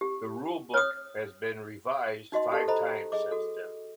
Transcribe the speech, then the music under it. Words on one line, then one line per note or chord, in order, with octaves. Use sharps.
The rulebook has been revised five times since then.
G4
C#5 D#6 F6
D#4 F#4 D#5 C6
G4 A4 A5
A4 C5 D#5 A#5 B5
G#4 D#5 D6
F#4 A4